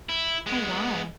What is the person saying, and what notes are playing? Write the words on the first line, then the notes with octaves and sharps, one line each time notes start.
Oh, wow.
E4
G#3 B3